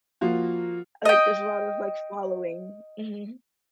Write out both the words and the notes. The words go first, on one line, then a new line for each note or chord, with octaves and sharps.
like, there's lot of, like, following. Mhm.
F3 A#3 F4 F#4
D#5 G5